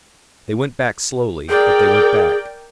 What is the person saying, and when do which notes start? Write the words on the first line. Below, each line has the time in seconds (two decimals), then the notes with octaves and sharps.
They went back slowly, but they went back.
1.49 G#4 A#4 D5 G5